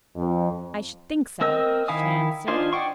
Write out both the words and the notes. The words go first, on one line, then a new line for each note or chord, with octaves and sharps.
"I should think so," she answered.
F2
C4 A#4 D#5 E6
D#3 E4 F5 G#5 D#6
D4 D#4 F4 C5 G#5
D5 F#5 G5 C#6